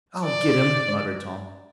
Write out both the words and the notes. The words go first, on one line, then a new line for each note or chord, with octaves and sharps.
"I'll get him!" muttered Tom.
D5